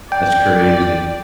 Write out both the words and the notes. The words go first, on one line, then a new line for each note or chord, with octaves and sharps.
That's crazy.
D5 G5